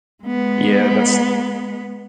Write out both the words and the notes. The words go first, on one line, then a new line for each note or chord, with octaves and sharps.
Yeah, that's
G#3 B3